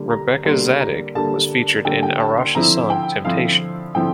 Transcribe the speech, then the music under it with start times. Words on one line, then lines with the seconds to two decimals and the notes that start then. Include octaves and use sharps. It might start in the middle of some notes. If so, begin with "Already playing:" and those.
Rebecca Zadig was featured in Arash's song "Temptation".
Already playing: D3 G3 A#3
0.10 A#5
0.45 D3 G3 A#3 C6
0.80 A#5
1.15 D3 G3 A#3 A5
1.85 D3 G3 A#3 G5
2.03 G5
2.20 A5
2.37 C6
2.55 D3 F3 C4 E4 A#5
2.90 G5
3.25 D3 F3 C4 E4 F5
3.95 D3 F3 C4 E4 G5